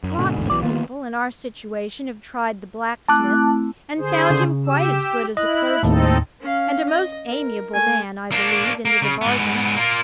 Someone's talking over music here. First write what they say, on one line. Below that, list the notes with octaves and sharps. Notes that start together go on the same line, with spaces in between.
Lots of people in our situation have tried the blacksmith, and found him quite as good as a clergyman, and a most amiable man, I believe, into the bargain.
F#2
G#2 B2 D3
A1 E2 D3
B1 B2 E3 D5
D#3 A#3 B3 F4
A3 C4 E4 A5 D6 F#6
D3 G#4 C5
C#3
G4 E6
E4 D#5 F#6
D#2 A2 C4 D#4 A4
C#4 F5
D#5
A#4
A3 G#5
A#3 D4
A#3
C#3
G#2 B3
A#3 F4